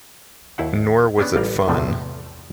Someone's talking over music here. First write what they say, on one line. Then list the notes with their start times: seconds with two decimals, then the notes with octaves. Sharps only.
Nor was it fun.
0.58 D#2 E4 C5 F#5
1.18 B3 C#4 D4 G4 G#4
1.36 A1 G3 F4 A#4 A#5
1.68 E2 A2 C3 F3 A3